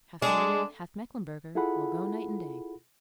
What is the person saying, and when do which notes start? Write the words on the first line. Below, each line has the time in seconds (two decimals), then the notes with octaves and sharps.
"Half Norman, half Mecklenburger; will go night and day."
0.22 G#3 D4
1.55 E4 F4 G#4 A4 F#5 B5